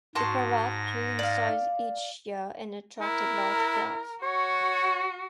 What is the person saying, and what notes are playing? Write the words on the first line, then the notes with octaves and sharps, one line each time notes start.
The Parade grew in size each year and attracted large crowds.
G#2 F#4 A5 C6 A#6
D5 F5
E4 A#4
F#4 C#5